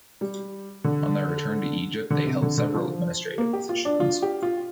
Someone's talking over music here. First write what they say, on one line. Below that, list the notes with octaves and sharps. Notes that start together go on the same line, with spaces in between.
On their return to Egypt they held several administrative positions.
G3
D3
D3
C3
D3
D3
F3
A#3
G4
F4
D4
F4
G4
F4